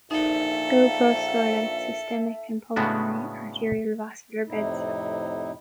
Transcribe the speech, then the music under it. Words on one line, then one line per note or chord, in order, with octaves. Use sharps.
Iloprost dilates systemic and pulmonary arterial vascular beds.
A#1 D#4 A4 E5
A2 C#3 G#3 B3 D4 F#4
F2 A2 C3 D#4 E4